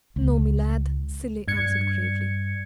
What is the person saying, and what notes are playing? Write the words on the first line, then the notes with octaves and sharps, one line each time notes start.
"No, me lad," Cilley answered gravely.
C#2
G2 G#6 C#7